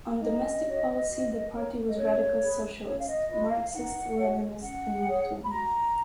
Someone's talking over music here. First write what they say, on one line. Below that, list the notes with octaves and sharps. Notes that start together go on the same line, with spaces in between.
On domestic policy, the party was radical socialist, Marxist-Leninist and left-wing.
D#4 D#5
F#4 C#5
F#4
A#4 C#5
D#5
C#4 C#5
G#4 B4
C#4 C#5
F5
D#5
F4 B4 D#5
F5
D#4 F#5
F#4 C#5
C#4 F#5
G#4 C#5
B5
F#4 A#5